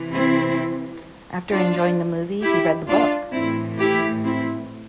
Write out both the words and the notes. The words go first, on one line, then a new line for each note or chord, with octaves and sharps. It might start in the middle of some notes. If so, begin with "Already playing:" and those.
After enjoying the movie, he read the book.
Already playing: C3 E3
C4 E4
D4 F4
E4 G4
D4 F4
A2 E3 C4 E4
E4 G4
C4 E4